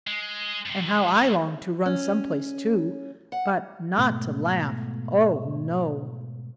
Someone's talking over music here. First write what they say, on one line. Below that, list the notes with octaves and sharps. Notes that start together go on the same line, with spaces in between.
And how I longed to run some place, too--but not to laugh, oh, no!
G#3
F#2 C3
C#4
F#5
G#2 B2 A3